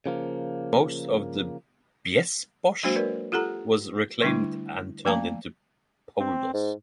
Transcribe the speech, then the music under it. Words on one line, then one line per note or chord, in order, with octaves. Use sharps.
Most of the Biesbosch was reclaimed and turned into polders.
C#3 F3 A#3
F#3 G#3 A#3 D4 F#4 C5
A#4 B4 D5
F4 G4 A4 F#5 A#5
D3 G3 A3 D4 E4
F3 A3 A#3 F5 A5 A#5
C4
G#2